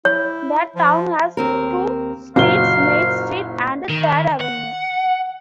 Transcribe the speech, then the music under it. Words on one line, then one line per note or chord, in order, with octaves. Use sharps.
The town has two streets, Main Street and Third Avenue.
E4 C#5
F3
D#2 C4 A#4
F#1 A#2 F#3 F5 G7
D#3
F#5